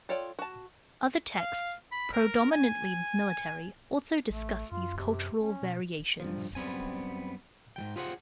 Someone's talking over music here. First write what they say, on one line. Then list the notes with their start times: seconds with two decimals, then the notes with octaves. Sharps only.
Other texts, predominantly military, also discussed these cultural variations.
0.09 F4 A4 C#5 D5 G5
0.39 F#4 A5
1.37 F5
1.92 B5
2.13 A#4
2.51 G#5
4.30 A1 A3
4.71 F#2 F4
4.97 C3
5.42 C#4
5.62 B2
6.20 G2 F3
6.55 F#2 G3 B3 C4 G#5
7.76 G#2 F#3 G5
7.96 F4 G4 G#4 C5 D#5 F#5